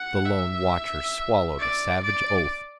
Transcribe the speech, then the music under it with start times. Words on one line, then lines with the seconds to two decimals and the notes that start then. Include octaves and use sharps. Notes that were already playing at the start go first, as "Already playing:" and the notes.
The lone watcher swallowed a savage oath.
Already playing: F#5
0.26 E5
1.59 D5
2.04 D5